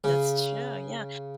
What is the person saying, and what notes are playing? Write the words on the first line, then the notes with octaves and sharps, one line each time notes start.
that's true, yeah,
C#3